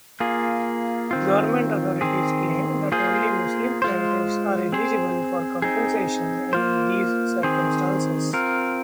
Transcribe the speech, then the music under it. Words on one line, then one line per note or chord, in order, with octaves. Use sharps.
Government authorities claim that only Muslim plaintiffs are eligible for compensation in these circumstances.
A#3 F4 G#4
D#3 C4 F4
D#3 C4 G#4
A#3 F4 G#4 C5
G#3 F4 C5
C4 G#4 C5
C4 D#4 G#4
A#3 F4 C5
D#3 C4 G#4 C5
C4 F4 A#4